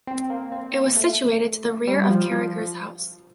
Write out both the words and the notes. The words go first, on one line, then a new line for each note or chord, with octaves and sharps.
It was situated to the rear of Carragher's house.
C4
A#3
C4
A#3
A3
G3
F3
F3